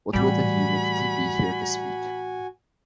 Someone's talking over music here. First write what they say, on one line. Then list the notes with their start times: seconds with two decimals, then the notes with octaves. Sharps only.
What will the humidity be here this week?
0.13 A2 E3 G3 F#4 G#5 B5